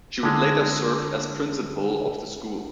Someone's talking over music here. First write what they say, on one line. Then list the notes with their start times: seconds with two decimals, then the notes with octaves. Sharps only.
She would later serve as principal of the school.
0.23 D3 G#3